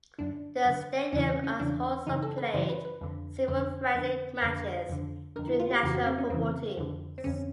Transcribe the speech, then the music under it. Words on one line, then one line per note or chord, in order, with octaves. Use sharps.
The stadium has also played several friendly matches between national football teams.
F#2 D3 D4
F#2 D3
E2 C#3 E3 C#4
C4
C#4
E2 C#3 E3 D4
F#2 C#3 E3 D#4
A4
B4
F#2 C#3 E3 C5
B4
B4
F2 D3
F2 D3 C5
F2 D3
F2 D3 B4
F2 D3
F2 D3 A#4
E4
F4
G4
F2 C#3 E3 F#4
F#4
C4
C#4
F2 C#3 E3 C4
F2 D3
C4
F2 D3 C#4